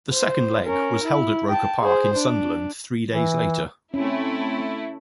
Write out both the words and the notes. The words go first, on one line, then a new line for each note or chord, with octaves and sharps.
The second leg was held at Roker Park in Sunderland three days later.
C5
C#4 A#4
E4
G5 A5
G#4 C5
D4
E3
A3 C4 C#4 E4